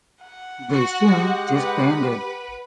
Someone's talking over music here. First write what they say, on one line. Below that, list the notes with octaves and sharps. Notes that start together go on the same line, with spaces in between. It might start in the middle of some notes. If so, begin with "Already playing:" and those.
They soon disbanded.
F#5
F#4
G#3 G4
B4